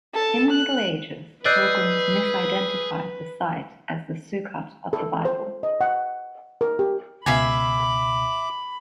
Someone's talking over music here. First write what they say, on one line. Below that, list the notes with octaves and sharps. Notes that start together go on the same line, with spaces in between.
In the Middle Ages, pilgrims misidentified the site as the Sukkot of the Bible.
A4 A5
F#6
G#4 B4 D5 D#5 E6 F#6 G6 C7
A4
C5
D#5
F#5
A#4
G4
C#2 B2 E5 F5 G#5 B5 D6